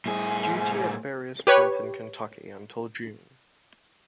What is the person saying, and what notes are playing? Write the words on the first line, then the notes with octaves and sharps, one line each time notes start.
Duty at various points in Kentucky until June.
A2 G#4
G4 B4 C#5